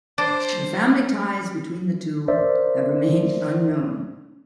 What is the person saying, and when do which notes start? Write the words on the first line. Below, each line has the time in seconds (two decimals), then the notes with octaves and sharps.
The family ties between the two have remained unknown.
0.18 D4 C5
2.28 A#4 C5 D5 E5